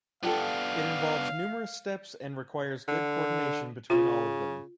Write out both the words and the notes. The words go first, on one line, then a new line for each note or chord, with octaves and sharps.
It involves numerous steps and requires good coordination between all of them.
B3 D4 F4 G4 A4 F5
D3
C#3 F4